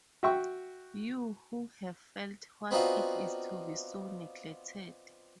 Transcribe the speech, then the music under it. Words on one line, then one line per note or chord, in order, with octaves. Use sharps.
You who have felt what it is to be so neglected!
F#4 E5 G5 C#6
B3 C4 D4 D#4 F4 F#4